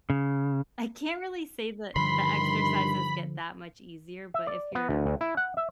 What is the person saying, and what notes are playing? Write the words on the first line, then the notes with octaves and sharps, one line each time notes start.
I can't really say that the exercises get that much easier, but if your
C#3
G2 D3 D#3 F3 B5 C6
E5
D5
B3
D2
D2
E4
F#5
E5